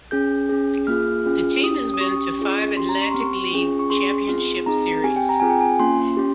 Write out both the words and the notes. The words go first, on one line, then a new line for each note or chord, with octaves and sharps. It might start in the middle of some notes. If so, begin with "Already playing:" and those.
The team has been to five Atlantic League Championship Series.
C#4 G#4 G6
C#4 G#4
A#3 F4 G#4 F6
C#4 F4 G#4
C#4 G4 D#6
D#6
C#4 G4 C#6
C#4 F4 G#4
C#4 G4 C6
A#5
C#6
C4 G4 C6
C#6
C#4 F4 G#4
C#6
C#4 G#4 C6
C4 F4 G#4
C4 D#4 G#4 A#5
C4 G4 G#5
G5
A#5
C4 F4 G#4 G#5
G5
G#5
A#3 C#4 F4 C6
C#4 G4